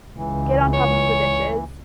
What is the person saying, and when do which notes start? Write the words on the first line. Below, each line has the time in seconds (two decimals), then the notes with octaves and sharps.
get on top of the dishes,
0.17 C#2 E3
0.73 C#5